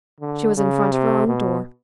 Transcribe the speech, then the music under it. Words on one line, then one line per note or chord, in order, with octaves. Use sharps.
She was in front of her own door.
D3
C#3
C3
B2